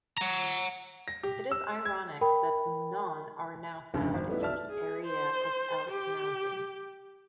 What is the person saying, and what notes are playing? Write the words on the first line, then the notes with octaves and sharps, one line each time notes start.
It is ironic that none are now found in the area of Elk Mountain.
F#5 A#5
A#6
G4
E6
G#6
A#4 G5 B5
F1 C#2 G2
G#1
G3 A3 B3 D#4 E4
B1 D5 E5 A5 F6
G#4
C5
G4